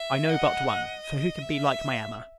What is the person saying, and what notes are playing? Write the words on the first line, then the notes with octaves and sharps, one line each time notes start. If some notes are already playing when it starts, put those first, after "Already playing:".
I know but one; for, who can be like my Emma?
Already playing: E5
D#5 F#5
D#5
E5